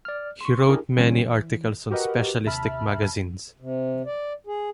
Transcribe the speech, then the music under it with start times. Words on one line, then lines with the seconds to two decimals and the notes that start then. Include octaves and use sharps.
He wrote many articles on specialistic magazines.
0.05 D5 F6
0.41 C6 C#6
0.69 D4 E4 G4 G#4 A#4
0.97 A2 C#3 E3 G3 C4 C#4
1.25 E3
1.90 F#4 G4 A#4 B4 D#5 F#5
2.45 D#2 C3 E5 A5 B5 F6
3.60 C3
4.06 D5
4.47 G#4